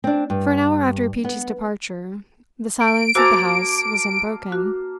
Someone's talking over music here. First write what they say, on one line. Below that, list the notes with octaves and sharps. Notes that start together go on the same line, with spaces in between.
For an hour after Peachey's departure, the silence of the house was unbroken.
C4 D4
G2
B3
D7
A#3 F#4 C5 A5 A#5 E6
F#4